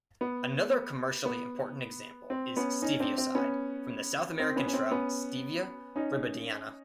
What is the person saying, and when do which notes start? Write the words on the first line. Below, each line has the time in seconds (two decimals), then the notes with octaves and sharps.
Another commercially important example is stevioside, from the South American shrub "Stevia rebaudiana".
0.21 B3
1.25 B3
2.30 C4
2.57 B3 C#4
2.82 C#4 D#4
3.00 C4 D4
3.18 C4
3.35 B3 C#4
4.40 C4
4.56 B3 C#4
4.67 C#4
4.73 C4
4.91 B3 C#4
5.96 C#4 D#4